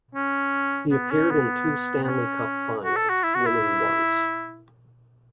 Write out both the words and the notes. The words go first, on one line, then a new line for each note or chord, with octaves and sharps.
He appeared in two Stanley Cup Finals, winning once.
C#4
B3
C#4
B3
B3
C#4
F#4
A4
F#4
E4
F#4
E4